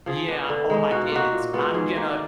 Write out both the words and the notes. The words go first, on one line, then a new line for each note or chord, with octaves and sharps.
Yeah, or my kids, I'm gonna
F3 G#4
B3 D4
D3
G#3 D#4
B2 F#4
F4
A#3 D#4 F#4
A#2
G#3 B3 F4
G#2 G#4
D#3 A#3
D5